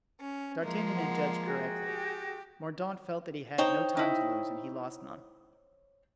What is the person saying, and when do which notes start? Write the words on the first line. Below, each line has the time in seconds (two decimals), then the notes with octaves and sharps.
D'Artagnan had judged correctly; Mordaunt felt that he had no time to lose, and he lost none.
0.19 C#4
0.62 F3 G#3 A#3
0.95 F#5
1.45 F#4 G#4 G5
1.84 G4
3.58 D#4 C5 C#5 G5
3.97 D#4 E4